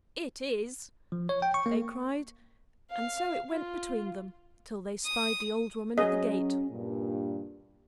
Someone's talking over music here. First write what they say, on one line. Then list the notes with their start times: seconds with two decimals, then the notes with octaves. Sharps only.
"It is," they cried, and so it went between them, till they spied the old woman at the gate.
1.12 F3
1.29 C#5
1.42 G5
1.54 C#6
1.66 A#3
2.91 F5
3.50 F4
5.05 D#6
5.98 F#3 C#4 G#4 D#5
6.70 G2 A#2